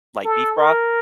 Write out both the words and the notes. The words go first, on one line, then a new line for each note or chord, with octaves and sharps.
like, beef broth.
A4
A#4